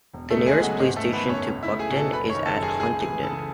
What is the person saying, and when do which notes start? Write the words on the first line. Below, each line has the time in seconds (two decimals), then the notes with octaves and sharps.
The nearest police station to Buckden is at Huntingdon.
0.13 E1
0.30 A3 A4
0.36 C#3
0.46 G#3 G#4
0.57 E2
0.63 F#3 F#4
0.80 G#1 G#3 G#4
0.96 A3 A4
1.02 D#3
1.13 B3 B4
1.24 F#2
1.29 C#4 C#5
1.47 C#2
1.63 E4 E5
1.68 A3
1.79 G#4 G#5
1.90 B2
1.96 A4 A5
2.12 F#1 B4 B5
2.29 C#5 C#6
2.35 D#3
2.46 A4 A5
2.56 F#2
2.63 G#4 G#5
2.80 C#2 G#4 G#5
3.01 E3 G#4 G#5
3.23 C#3 A4 A5